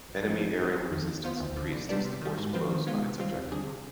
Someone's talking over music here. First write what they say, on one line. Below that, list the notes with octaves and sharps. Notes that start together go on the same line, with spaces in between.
Enemy aerial resistance increased as the force closed its objective.
G#1
G#2 F3 C4 D#4
G#1
G2 F3 C4
G1
F2 D#3
D#2
D#3 B3 F4 C5
D2
D3 F3
C2
C3 G3 B3 D4
C3
D#3 G3
G#2
F3 C4 F4 B4
D#3
G#3 B3 F4
C3
D#3 G3 C4 F4
D#2
D3 G3 D4 G#4
C3